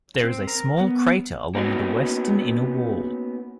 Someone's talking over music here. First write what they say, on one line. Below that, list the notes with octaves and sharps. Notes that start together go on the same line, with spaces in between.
There is a small crater along the western inner wall.
C4
A#4
B3
A#3 B3 C#4 D#4 F#4